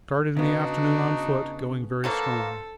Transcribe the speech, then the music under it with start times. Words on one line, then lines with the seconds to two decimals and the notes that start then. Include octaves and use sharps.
Started in the afternoon on foot, going very strong.
0.36 C#3 B3 D4 D#4 F#4
2.04 B2 F#3 A#3 A4 C5